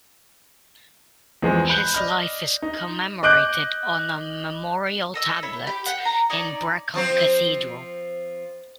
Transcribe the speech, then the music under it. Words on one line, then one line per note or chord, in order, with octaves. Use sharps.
His life is commemorated on a memorial tablet in Brecon Cathedral.
E2 F3 G#3 C4
B5 F#6 G6
D5 D#5 F6
D#4
D#5 D6 F#6 G6 D7
A4 D#5 E6
E4 C#5
G4
F#5 G5
A#5
D#4 C#5 D5
F3 C4 C5